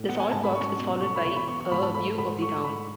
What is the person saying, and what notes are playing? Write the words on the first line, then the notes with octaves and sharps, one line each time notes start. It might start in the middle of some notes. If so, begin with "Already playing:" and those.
"The Salt Box" was followed by "A View of the Town".
Already playing: A2
B3 F#5
G#5
G#2 A5
B5
C#4 C#6
B2
A3 C#6
B5
E2 C#6
B5
B3 C#6
C#6
G#2 B5
A5
A3 B5
G#2 B5
A3 C#6
G#2 B5